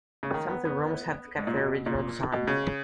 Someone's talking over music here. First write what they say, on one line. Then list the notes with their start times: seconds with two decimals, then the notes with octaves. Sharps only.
Some of the rooms have kept their original design.
0.23 C#3
0.34 D#3
0.49 B3
0.65 B3
1.38 G#2
1.47 A#2
1.56 B2
1.86 A#2
2.32 B2
2.47 C#3